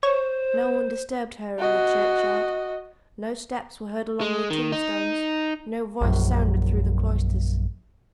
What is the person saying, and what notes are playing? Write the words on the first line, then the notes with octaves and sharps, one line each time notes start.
No one disturbed her in the churchyard,--no steps were heard along the tombstones,--no voice sounded through the cloisters.
C5 C#5
F#4 D#5
G#3
D#3
D#4
A#1 F#2